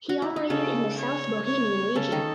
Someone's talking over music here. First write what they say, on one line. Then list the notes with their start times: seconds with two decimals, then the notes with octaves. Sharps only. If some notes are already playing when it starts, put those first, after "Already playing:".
He operated in the South Bohemian Region.
Already playing: G#4
0.09 F#4
0.22 E4
0.36 D#4
0.50 C#3 C#4 A4
0.99 C#5
1.47 C#5
1.95 C#3 C#4 A4
2.12 D#3 D#4